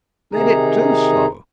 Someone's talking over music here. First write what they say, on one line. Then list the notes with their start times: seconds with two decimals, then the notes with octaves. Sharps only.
"Let it do so."
0.33 C3 D#3 D#4 G#4 A#5